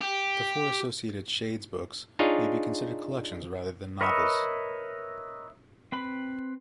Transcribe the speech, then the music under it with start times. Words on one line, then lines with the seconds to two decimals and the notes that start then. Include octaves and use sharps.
The four Associated Shades books may be considered collections rather than novels.
0.02 G4
2.19 D4 D#4 F4 G#4 C#5 F5
4.01 A#4 B4 C#5 D#5 E5
5.92 C4 B4 B5